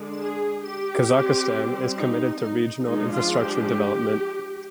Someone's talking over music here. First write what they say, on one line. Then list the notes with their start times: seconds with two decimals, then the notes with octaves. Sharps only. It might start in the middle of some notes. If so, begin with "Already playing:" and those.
Kazakhstan is committed to regional infrastructure development.
Already playing: D3 G#3 D4
0.21 G#4
0.65 G4
1.09 G3 C4
1.97 D#4
2.41 D#4
2.85 F3 G#3 D4 D#4
3.13 F4
3.43 G4